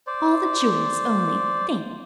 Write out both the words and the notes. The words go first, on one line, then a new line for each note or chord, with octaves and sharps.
All the Jewels, only think!
C5 D5